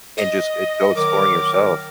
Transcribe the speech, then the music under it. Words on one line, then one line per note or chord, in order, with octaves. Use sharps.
and just g go exploring yourself
D#5
D#3 F#3 A#4 D6